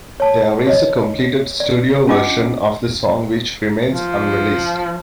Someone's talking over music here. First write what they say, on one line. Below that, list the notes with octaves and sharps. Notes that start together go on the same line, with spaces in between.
There is a completed studio version of the song which remains unreleased.
C#5 A5
C#5 D#5
D5
C#4 D4 F4 D#5 D6
F3